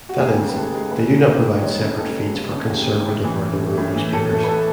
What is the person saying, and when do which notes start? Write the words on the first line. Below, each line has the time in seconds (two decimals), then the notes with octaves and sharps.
That is, they do not provide separate feeds for conservative or liberal newspapers.
0.09 F#4
0.19 D#2 G#4
0.38 C#3
0.49 B4
0.55 D#2 A4
0.73 G#3
0.91 D#2 B4
1.09 C#3
1.27 D#2 B4
1.45 G#3
1.55 D#5
1.63 D#2 C#5
1.80 C#3
1.98 D#2 A4
2.16 G#3
2.34 D#2
2.52 C#3
2.70 D#2
2.87 G#3
3.06 A2
3.24 E3
3.42 A2
3.59 A3
3.77 A2
3.96 E3
4.13 A2 A4
4.30 A3
4.44 B4
4.48 A2 A4